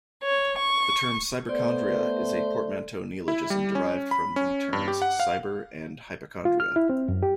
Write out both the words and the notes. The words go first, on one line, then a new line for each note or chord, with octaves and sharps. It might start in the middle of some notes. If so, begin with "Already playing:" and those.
The term "cyberchondria" is a portmanteau neologism derived from the terms cyber- and hypochondria.
C#5
C#6
A3 B3 C5 D5
E4
G3
C#4
B5
C#4
G2
G4
F#5
F5
F4
F6
E4
C4
F#2
G4